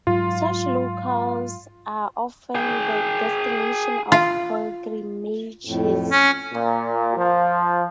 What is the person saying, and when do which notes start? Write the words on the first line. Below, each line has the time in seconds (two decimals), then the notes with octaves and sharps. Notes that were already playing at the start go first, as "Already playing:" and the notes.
Such locales are often the destination of pilgrimages.
0.07 G#2 F#3 F4
2.55 G#4 G5
4.12 F4
5.65 F2 A2
6.12 C#4
6.53 A#2
7.17 F3